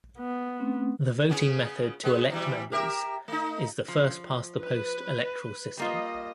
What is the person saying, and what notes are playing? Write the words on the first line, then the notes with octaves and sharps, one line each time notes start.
The voting method to elect members is the First Past the Post electoral system.
B3
A3 C4 C#4
C#3 B3 C#4
G#3 B3
B2 E3 G3
G4 A#4 E5
A3 D#4
F3
B4
G3 A#3 F4 D#5